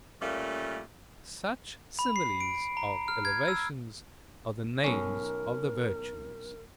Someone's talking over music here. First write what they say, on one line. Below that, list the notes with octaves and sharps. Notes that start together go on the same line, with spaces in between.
Such similes of elevations are the names of the virtues.
A#2 G3 A3 A#3 C#4
B5
C7
D7
A#5
F6
G#6
E6
B1 C#4 A#4